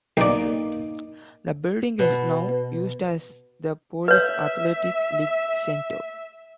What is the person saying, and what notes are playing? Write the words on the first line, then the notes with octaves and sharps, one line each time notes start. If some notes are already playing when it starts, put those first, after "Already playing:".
The building is now used as the Police Athletic League Center.
B1 A#3 D#4 D5
B2
B4 C#5 E5